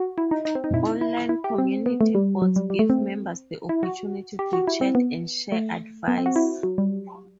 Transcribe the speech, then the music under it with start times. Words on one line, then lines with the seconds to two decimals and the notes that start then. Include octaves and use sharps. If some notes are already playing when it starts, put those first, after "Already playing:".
Online community boards give members the opportunity to chat and share advice.
Already playing: F#4
0.18 E4
0.31 D#4
0.45 D#4
0.55 C4
0.64 D#4
0.74 E4
1.01 E4
1.29 E4
1.44 G4
1.58 C4
1.86 B3
2.01 A3
2.15 G3
2.42 F#3
2.56 G3
2.70 G3
2.79 A3
2.90 C4
3.69 E4
3.83 F#4
4.39 G4
4.53 F#4
4.67 E4
4.81 C4
4.95 B3
5.52 A3
6.08 B3
6.18 C4
6.26 F#4
6.36 E4
6.63 F#3
6.78 G3